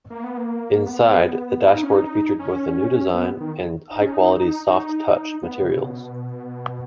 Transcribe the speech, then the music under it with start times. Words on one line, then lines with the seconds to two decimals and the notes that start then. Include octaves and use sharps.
Inside, the dashboard featured both a new design, and high quality 'soft touch' materials.
0.10 A#3
0.24 B3
0.37 A#3
0.86 B3
1.63 E4
1.73 D#4
1.83 C#4
1.92 D#4
2.39 C#4
3.15 B3
3.40 D#3
3.91 D#4
4.01 C#4
4.13 D#4
4.66 D#4
5.43 B3
5.62 C#3
5.76 C#3
5.82 B2